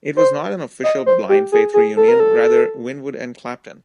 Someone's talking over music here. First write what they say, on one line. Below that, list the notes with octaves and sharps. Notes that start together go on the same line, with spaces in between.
It was not an official Blind Faith reunion; rather "Winwood and Clapton".
C5
D#5
C5
G4
G#4
G#4
A4
A#4
A4